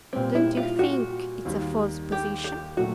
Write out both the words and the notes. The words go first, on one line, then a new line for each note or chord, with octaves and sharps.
"Don't you think it's a false position?"
A#2 G3 B3 C4
E4
F4
F#4
D#2 D#3 G3
G4
G4
A#2 F#3 A3 F#4